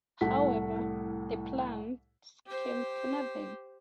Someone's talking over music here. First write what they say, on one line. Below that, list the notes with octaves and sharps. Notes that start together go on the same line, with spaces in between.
However, the plans came to nothing.
C2 A2 A4 F#5 B6
G4 C5